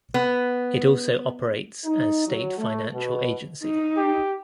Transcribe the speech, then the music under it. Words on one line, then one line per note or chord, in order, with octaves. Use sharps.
It also operates as State Financial Agency.
B3
D#4
F#3
A3
B2
D#4
G4